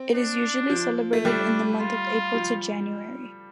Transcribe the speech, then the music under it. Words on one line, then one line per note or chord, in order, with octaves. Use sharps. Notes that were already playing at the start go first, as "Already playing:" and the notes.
It is usually celebrated in the month of April to January.
Already playing: C4
D4
F3
A3
G3 D4
F4
F3